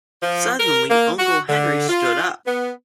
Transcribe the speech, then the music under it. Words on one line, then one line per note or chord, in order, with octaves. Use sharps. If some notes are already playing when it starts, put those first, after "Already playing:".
Suddenly Uncle Henry stood up.
F3
A#4
A#3
F#4
D3
F4
B3